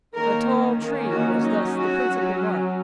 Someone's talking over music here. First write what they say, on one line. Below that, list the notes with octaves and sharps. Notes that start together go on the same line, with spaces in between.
A tall tree was thus the principal mark.
D#3 A#3 C#4 A#4
D#3 A#3 C#4
F#4
F#3 C#4 D#4
F#4
F#3 C#4